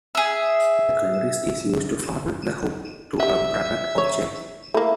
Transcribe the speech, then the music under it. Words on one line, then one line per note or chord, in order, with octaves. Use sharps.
The clevis is used to fasten the hook to a bracket or chain.
G#4 E5
G3 E5 F#5
C#5
A3 A#3 E4